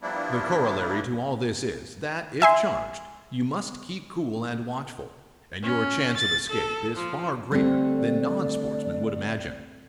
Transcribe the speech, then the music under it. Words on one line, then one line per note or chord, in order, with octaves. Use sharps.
The corollary to all this is, that, if charged, you must keep cool and watchful, and your chance of escape is far greater than non-sportsmen would imagine.
F3 G3 A#3 B3 D4 E4
E5 G#5 C6
C#4
A6
A4
F3
D3 G3 A3 C4 D5